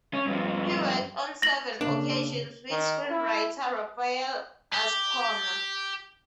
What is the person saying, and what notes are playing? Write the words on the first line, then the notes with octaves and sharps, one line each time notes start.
He worked on seven occasions with screenwriter Rafael Azcona.
C#4
G2 F3
A#6 F#7
C#3 A#3 D4
D#3
E4
G4